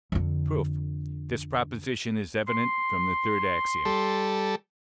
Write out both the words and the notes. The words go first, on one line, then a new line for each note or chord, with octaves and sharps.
Proof.--This proposition is evident from the third axiom.
F2 D3
C6
G3 A4